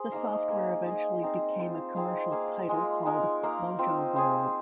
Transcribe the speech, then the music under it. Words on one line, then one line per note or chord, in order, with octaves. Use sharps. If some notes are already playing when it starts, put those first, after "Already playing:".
The software eventually became a commercial title called MojoWorld.
Already playing: G#4 C5
A#3 D#4 A#4 F5
A#3 G#4 C5
D#4 G#4 D#5
C4 D#4 A#4 F5
C4 F4 C5
C4 D#4 G#4 F5
A#3 G#4 F5
G#3 F4 A#4
G#3 D#4 A#4
A#3 D#4 A#4 F5
C4 F4 C5
C4 F4 G#4